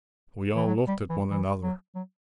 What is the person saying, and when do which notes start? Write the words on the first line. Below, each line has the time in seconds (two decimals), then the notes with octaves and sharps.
We all looked at one another.
0.55 E3
0.66 F#3
0.88 G3
1.10 E3
1.31 E3
1.63 F#3
1.95 F#3